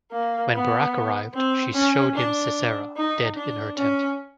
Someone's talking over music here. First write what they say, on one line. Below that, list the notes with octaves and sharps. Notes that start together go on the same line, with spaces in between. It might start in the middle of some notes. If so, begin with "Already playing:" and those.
When Barak arrived, she showed him Sisera, dead in her tent.
A#3
B3
C4
C#4
D4
D#4
D4
C#4